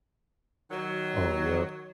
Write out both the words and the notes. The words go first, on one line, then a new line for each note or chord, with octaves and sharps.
Oh, yep.
D#3 F#3